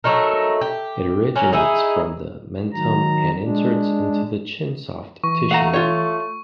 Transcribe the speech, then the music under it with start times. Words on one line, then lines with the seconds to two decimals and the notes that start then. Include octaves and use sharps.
It originates from the mentum and inserts into the chin soft tissue.
0.04 F#3 A3 D#4 A#4
0.61 G4
1.36 F#3 A#3 C#4
1.52 D#4 E4 G#4
2.73 D#3 F#3 A#5
3.42 G#3 D4
5.24 E3 C#6
5.51 A3 F5 F#5 A#5
5.73 F4 C#5